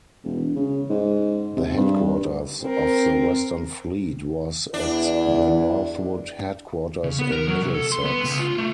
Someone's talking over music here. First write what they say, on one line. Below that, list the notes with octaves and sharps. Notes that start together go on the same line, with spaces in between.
The headquarters of the Western Fleet was at the Northwood Headquarters in Middlesex.
E1
C#3
G#2
C3
G2
C4 A#4
E2 D4 E4
C#3
B3
A#4
F#3
C3
A4
C6
B3
C#2
F4
A3